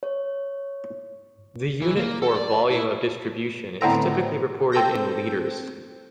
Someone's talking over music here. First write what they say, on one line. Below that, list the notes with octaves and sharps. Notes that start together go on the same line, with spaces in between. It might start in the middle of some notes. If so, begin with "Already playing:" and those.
The unit for Volume of Distribution is typically reported in liters.
C#5
E3
A#3
A4
D5
E4
A2 D3 B3 C4 A#5
C4 A4 E6 G6 A#6